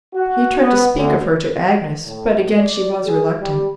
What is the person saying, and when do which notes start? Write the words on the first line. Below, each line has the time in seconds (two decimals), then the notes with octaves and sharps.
He tried to speak of her to Agnes, but again she was reluctant.
0.15 F#4
0.60 B3
0.95 D2
2.07 A2
2.57 D5
3.06 G#4
3.40 G3